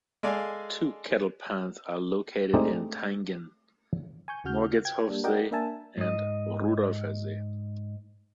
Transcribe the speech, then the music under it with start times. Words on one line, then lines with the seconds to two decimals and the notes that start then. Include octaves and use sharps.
Two kettle ponds are located in Thayngen: Morgetshofsee and Rudolfersee.
0.23 G#3 A4 D5 F5 G#5
2.54 G#3 A3 C4 D4 D#4 G4
4.28 G#5 C#6 G6
4.44 D#2 C#3 F#4 F6 G6
4.85 G5 G#6
5.08 G3 A#3 D4
5.24 F#4 A#4 D5 D#5 F#5 G5
5.51 A#3 D4 A#4 E5 G#5 A5
5.98 G#2 D#5